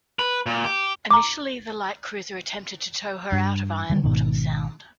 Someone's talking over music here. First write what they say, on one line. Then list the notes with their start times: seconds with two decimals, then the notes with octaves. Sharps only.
Initially, the light cruiser attempted to tow her out of Ironbottom Sound.
0.19 B4
0.46 A#2
0.64 G4
1.11 A#5 D6
3.32 G2
3.90 D3 D#3 G3
4.04 G#1 G#2 B2 D#3